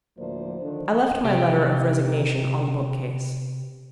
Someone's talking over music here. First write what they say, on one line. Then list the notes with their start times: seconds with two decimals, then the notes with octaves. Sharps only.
I left my letter of resignation on the bookcase.
0.17 D2 A2 F3 A#3 C5 D5
0.62 D3 D#3 F3 D4 A4 C5
1.24 C3 G4